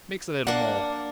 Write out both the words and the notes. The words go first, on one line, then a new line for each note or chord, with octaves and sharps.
Mix a little more!'
A#3 D4 D5 F#5